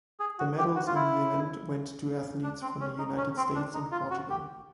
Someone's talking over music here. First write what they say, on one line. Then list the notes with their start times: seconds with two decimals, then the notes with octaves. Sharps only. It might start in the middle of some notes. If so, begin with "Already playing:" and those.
The medals in the event went to athletes from the United States and Portugal.
0.20 G#4
0.39 F#4
0.58 G4
0.76 F#4
0.87 F4
0.95 E4
2.43 D4
2.62 C4
2.80 C#4
2.99 D#4
3.17 C#4
3.37 C4
3.55 D4
3.74 D#4
3.92 F4
4.11 F#4
4.30 G4